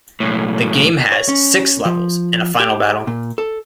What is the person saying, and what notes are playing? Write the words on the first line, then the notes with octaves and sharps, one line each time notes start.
The game has six levels and a final battle.
B1 A2
C#5
C#4
F3
G4
A#2
A4